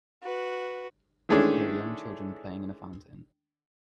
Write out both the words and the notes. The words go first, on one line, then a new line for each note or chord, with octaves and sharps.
There are young children playing in a fountain.
F#4 B4
D#3 E3 G#3 A3 C#4 D4